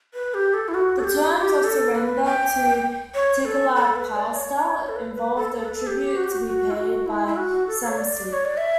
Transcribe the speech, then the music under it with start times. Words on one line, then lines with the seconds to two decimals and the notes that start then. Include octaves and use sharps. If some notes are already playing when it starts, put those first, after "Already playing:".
The terms of surrender to Tiglath-Pileser involved a tribute to be paid by Samsi.
0.14 B4
0.34 G4
0.54 A4
0.68 E4
0.74 F#4
0.99 A4
1.04 G4
1.34 G4
1.64 A4
1.95 B4
2.25 G5
3.15 C#5
3.45 A4
3.75 A4
3.96 B4
4.16 D5
4.36 C#5
4.89 A4
4.96 B4
5.15 B4
5.36 A4
5.56 A4
5.65 B4
5.75 A4
5.87 G4
6.16 F#4
6.24 G4
6.32 F#4
6.46 F#4
6.71 E4
6.76 F#4
7.06 E4
7.27 E4
7.36 F#4
7.67 A4
7.87 C#5
7.98 D5
8.33 C#5
8.45 D5
8.57 E5